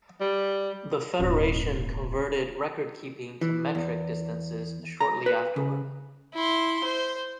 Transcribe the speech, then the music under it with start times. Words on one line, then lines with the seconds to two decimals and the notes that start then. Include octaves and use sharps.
The federation converted record-keeping to metric distances shortly afterward.
0.20 G3
1.19 D#1 G#1
3.41 E3
3.75 E2
5.01 A#5
5.26 B4
5.56 C#3
6.34 E4 C6
6.84 C5